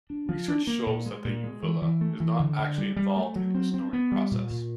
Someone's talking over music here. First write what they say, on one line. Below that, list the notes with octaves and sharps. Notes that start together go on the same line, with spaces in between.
Research shows that the uvula is not actually involved in the snoring process.
D4
F3
D4
A#3
A#2
G#3
A#2
G#3
E3
E3
A3
E3
D3
D3
G3
G3
A3
F#3
C4
C4
B3
G3
A#2
A#2